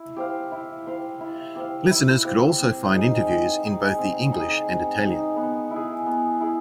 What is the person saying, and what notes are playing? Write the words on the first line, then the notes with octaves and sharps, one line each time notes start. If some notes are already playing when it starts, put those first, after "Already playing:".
Listeners could also find interviews in both the English and Italian.
Already playing: E4
G4 C5 F5
E4
G4 C5 F5
E4
G4 C5 F5
E4
G4 C5 F5
C4
D#4 G#4
C4
D#4 G#4
C4
D#4 G#4
C4
D#4 G#4
B3
E4
G#4
B3
E4 G#4